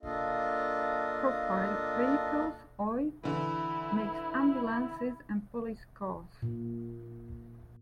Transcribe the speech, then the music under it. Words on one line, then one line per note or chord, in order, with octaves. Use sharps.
"Profile Vehicles Oy", makes ambulances and police cars.
A#3 D4 F4 A4 D#5 F5
D3 E3 E4
A#2